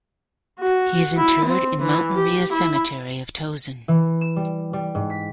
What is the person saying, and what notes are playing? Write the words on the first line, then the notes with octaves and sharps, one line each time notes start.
He is interred in Mount Maria Cemetery of Towson.
F#4
E4
C4
E3
G4
E4
E3
E7
G3
G3
G#2
B6